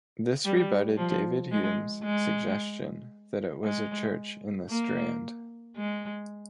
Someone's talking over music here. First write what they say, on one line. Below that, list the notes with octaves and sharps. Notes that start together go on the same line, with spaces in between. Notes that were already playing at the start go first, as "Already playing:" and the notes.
This rebutted David Hume's suggestion that it was a church in the Strand.
G3
F3
G#3
G#3
G#3
A#3
G#3